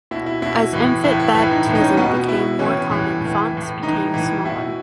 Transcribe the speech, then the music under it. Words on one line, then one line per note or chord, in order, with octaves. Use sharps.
As infant baptism became more common, fonts became smaller.
B2 E4
E4
B2 E4
A2 E3
A2 E3 E4
E4
A2 E3 E4
D#4
A2 E3
D#4
C#4
B2 B3
B2 E4
A2 E3 C#4
A2 E3
A2 E3
E3
A2
A2 E3 D#4
A2 E3
B2 E4